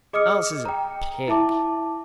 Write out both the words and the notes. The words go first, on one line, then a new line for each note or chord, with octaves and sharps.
Alice is a pig.
G#4 D#5 D6 D#6 F6 C#7
G5 A#5
E4 E5 A5 D6